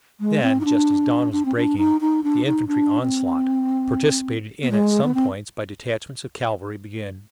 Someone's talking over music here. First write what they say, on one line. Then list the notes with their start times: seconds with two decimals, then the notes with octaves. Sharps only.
Then, just as dawn was breaking, the infantry onslaught, participated in at some points by detachments of cavalry, began.
0.20 G#3
0.43 C4
0.61 D#4
0.65 D4
1.32 D4
1.45 C4
1.56 D4
1.78 D#4
2.01 D#4
2.23 D4
2.45 D#4
2.68 D4
3.02 C4
4.63 B3
4.70 G#3
5.04 B3
5.14 C4